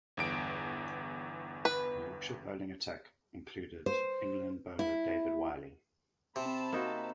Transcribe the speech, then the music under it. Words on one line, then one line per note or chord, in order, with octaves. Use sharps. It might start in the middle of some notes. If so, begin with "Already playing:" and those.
The Yorkshire bowling attack included England bowler David Willey.
G1 E2 D7
B4
C5
E4
C3 C4 A5 B5
A#3 D#4 F#4